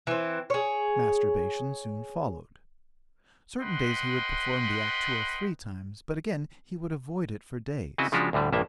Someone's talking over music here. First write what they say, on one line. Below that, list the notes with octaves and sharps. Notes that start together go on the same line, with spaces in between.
Masturbation soon followed. Certain days he would perform the act two or three times, but again he would avoid it for days.
E3 C4
G#4 C#5
B4 D#5 F#5 G5 B5 C6
C#3 C4 E4 F#4 D#5
C#3 F3 G#3 D4 F#4 G4
D2 A2 D3 G3
A#1 G2 D#3 A#3 E5